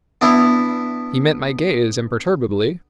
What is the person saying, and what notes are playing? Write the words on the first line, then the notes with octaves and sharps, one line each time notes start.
He met my gaze imperturbably.
B3 D4 E4